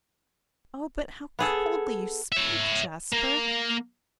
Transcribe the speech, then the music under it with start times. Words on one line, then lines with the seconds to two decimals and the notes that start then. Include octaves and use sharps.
'Oh, but how coldly you speak, Jasper!'
1.39 B3 G#4 A4
2.32 C#5 E5
3.13 A#3